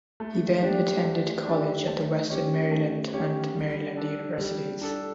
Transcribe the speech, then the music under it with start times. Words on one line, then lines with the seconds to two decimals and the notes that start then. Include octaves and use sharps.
He then attended college at the Western Maryland and Maryland universities.
0.20 A3
0.62 D4 G4 D5
1.04 A3
1.46 D4 G4 D5
1.87 A3
2.30 C#4 G4 C#5
2.71 A3
3.13 C#4 G4 C#5
3.55 G3
3.97 D4 A4
4.39 G3
4.81 D4 A4